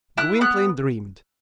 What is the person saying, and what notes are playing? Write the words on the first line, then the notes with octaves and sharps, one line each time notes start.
Gwynplaine dreamed.
E4 F#6
B3 F#6